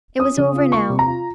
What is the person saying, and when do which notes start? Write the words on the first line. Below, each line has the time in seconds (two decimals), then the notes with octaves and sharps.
It was over now.
0.19 C#4 D#6
0.38 C#3
0.55 F4
0.72 A#3 C#6
0.90 C3
0.99 A#5
1.07 F4